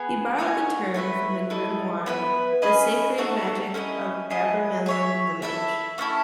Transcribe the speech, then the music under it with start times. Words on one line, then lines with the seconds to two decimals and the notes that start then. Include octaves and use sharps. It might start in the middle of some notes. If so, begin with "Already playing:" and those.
He borrowed the term from the Grimoire "The Sacred Magic of Abramelin the Mage".
Already playing: B3 G#4
0.38 D#4 F#4 C#5 G#5
0.94 A3 E4 B4 E5
1.50 E4 A4 D#5
2.06 B3 E4 B4
2.62 C#4 G#4 B4 D#5
3.18 A3 D#4 F#4 A4
3.74 C#4 E4 B4 D#5
4.30 A3 E4 G#4 D#5
4.86 G#4 C#5 E5
5.42 E4 A4 E5
5.98 A3 C#4 E4 A4